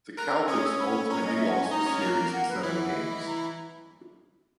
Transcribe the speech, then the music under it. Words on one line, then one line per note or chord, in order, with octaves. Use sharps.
The Celtics ultimately lost the series in seven games.
A#4 A#5 F#6
E6
C#4 C#5 D#6
E6
B5
C#4 C#5 A#5
D#5
E5
F#5
G#5
D#4 D#5 A#5
C#4 C#5
A#3 A#4
F#5
B4
E3 E4 C#5
F#5
D#5
B5
A#5